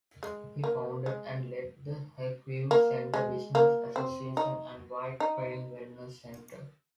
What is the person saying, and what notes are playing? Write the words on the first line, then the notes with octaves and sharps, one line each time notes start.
He founded and led the Lakeview Center Business Association and White Crane Wellness Center.
G#3
A#3
G#3
A#3
G#3
A#3
C4
D#4
D#4